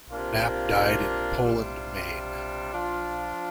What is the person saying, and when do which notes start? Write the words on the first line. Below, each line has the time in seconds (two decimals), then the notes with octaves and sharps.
Knapp died in Poland, Maine.
0.11 C3 A#3 D4 F4
1.41 C3 G3 D4 F4
2.72 F3 D4 F4